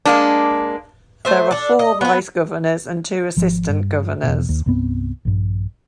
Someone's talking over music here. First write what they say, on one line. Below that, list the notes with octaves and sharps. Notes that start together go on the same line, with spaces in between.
There are four vice governors and two assistant governors.
G#3 A#3 D4
A3 C5 E5
D4 A4
D#5
B3 B4
G#1 F3
G2
E2 B2
D#2
C2 G2 B3 C4
A#1 G2